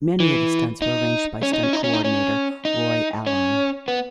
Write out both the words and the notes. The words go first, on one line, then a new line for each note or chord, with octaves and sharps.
Many of the stunts were arranged by Stunt coordinator Roy Alon.
E3
D#4
C#4
D#4
C#4
D#4
C#4
D#4
C#4
D#4
C#4
B3